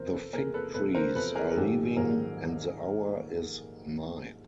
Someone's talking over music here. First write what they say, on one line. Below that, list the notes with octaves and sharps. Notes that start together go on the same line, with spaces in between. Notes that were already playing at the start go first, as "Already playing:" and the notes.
The fig trees are leaving and the hour is nigh.
Already playing: E2 C3 F3 A#4 C5
A4 B4
E2 C3 F3 G#4 A#4
A4 B4
E2 C3 F3 A4 B4
A#4 C5
E2 C3 F3 A4 B4
G#4 A#4
A#4
A#1 G#2 D#3 F#3 G4 A4
A#1 G#2 D#3 F#3 G#4 A#4